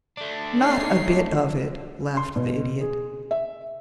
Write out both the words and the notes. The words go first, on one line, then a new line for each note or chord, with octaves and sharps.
"Not a bit of it," laughed the Idiot.
A3 D4
D#4 C#5 C7
C6
B2
G#4
E5